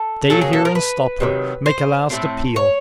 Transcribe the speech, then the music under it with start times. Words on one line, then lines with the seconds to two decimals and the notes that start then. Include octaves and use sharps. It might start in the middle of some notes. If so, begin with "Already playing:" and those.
'Stay here and stop her!--make a last appeal!
Already playing: A4
0.30 D#3 F#3 A#3 C#4 A4
0.42 G#4
0.53 A4
0.65 A#4
0.75 B4
1.20 C3 D#3 F#3
1.66 C5
2.10 A2 F3 A3 C4
2.56 C#5